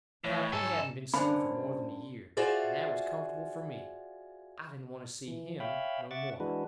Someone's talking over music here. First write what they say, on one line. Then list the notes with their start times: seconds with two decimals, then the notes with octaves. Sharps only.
Pap he hadn't been seen for more than a year, and that was comfortable for me; I didn't want to see him no more.
0.24 A2 E3 C#5
0.53 G#2 A4 G#5 A5
1.14 G2 D3 C#4 A#4 C5 D5 B5
2.37 F4 F#4 G#4 C5 D5 E5
5.28 E3
5.60 C#5 E5 F5 G5 B5
6.11 E5 F#5 C#6 D6 A6
6.40 E3 G#3 D4 F#4 B4